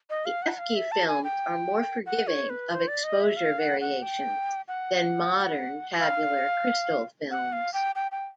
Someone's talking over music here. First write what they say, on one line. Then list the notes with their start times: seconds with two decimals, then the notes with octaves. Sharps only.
The Efke films are more forgiving of exposure variations than modern tabular crystal films.
0.10 D#5
0.25 F5
0.42 F#5
0.59 F5
0.75 E5
0.92 A5
1.08 G#5
1.24 G5
2.06 F#5
2.27 C#5
2.50 B4
2.72 C5
2.88 D5
3.04 D#5
3.20 E5
3.36 F5
3.59 F#5
3.81 F#5
4.02 G5
4.68 F#5
5.99 F5
7.31 F#5
7.53 F5
7.74 G5
7.95 G5
8.12 G5